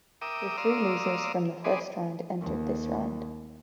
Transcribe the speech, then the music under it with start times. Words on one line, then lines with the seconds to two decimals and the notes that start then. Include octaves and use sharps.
The three losers from the first round entered this round.
0.21 A#4 E5 G5 D6 D#6
0.57 D5 F5 A#5 C6 D#6 E6
1.64 G#4 B4 C5 D5 D#5
2.42 D#2